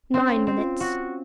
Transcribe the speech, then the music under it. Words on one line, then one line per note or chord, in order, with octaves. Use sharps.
Nine minutes.
C4 C#4
C#4
C4
F4
F4 F#4